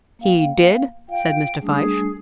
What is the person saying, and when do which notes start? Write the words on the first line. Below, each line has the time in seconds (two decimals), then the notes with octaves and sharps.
"He did," said Mr. Fyshe.
0.19 A#3 F5 G5
1.08 F4 F5 G5
1.61 G3 A3 D4 G#4